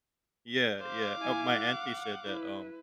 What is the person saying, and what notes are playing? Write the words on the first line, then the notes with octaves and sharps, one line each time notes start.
Yeah, yeah, uh, my auntie said that, um
C5 F5 D6
E4 G#5
F#5
E4 B4